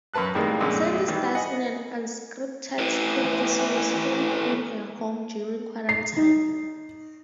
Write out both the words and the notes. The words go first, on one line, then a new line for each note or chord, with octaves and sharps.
Sandy stars in an unscripted cooking series filmed in her home during quarantine.
F#2 A#4 B4 A5 F#6
F2 A2 D#3 G3 G#3 A#3
B1 F#2 A2 D3 G#3
D#3 E3 G3
D#5 F#5 G#5
A2 E3
C7
D#4